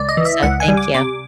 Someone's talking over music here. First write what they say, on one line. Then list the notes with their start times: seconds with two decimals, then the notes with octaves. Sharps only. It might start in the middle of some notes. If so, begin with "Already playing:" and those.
so thank you.
Already playing: C#2 D5
0.09 D#5
0.17 E3
0.25 E5
0.43 C#2 F#5
0.60 G#5
0.68 G3
0.77 D6
0.94 C3 D6